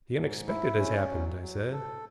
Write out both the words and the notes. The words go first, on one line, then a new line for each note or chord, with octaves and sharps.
"The unexpected has happened," I said.
G#2
E4
C#4
F#3
F#3
A4